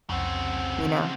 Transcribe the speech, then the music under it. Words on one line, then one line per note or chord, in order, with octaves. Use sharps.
you know,
C2 F2 C#3 C4 F#5